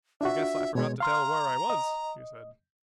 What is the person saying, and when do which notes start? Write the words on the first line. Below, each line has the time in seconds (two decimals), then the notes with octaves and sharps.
"I guess I forgot to tell where I was," he said.
0.21 D4 F4 F#4 E5
0.75 B2 G#3 C#5
1.00 F5 A#5 C6 F6
1.70 D#5